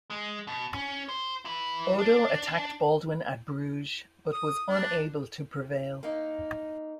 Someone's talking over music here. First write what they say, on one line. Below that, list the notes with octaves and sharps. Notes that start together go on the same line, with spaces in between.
Odo attacked Baldwin at Bruges but was unable to prevail.
G#3
B2
C#4
C5
E4 B4
D4
D#6
D4
A#3 D#4